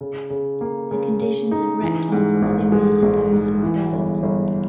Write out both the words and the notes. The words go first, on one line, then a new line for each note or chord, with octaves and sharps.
The conditions of reptiles are similar to those of birds.
C#3
C#3
A#3
C#3
C#3
D#4
E3
G#2
A#1
G#3
A#1
G#2
E3
G1
G1